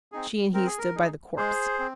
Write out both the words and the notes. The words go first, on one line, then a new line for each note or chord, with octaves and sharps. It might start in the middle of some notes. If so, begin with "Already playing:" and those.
She and he stood by the corpse.
C4 D#4 G#4
C4 A#4
G#4
A#4
D#4 G#4
G#3 G#4 C5
C4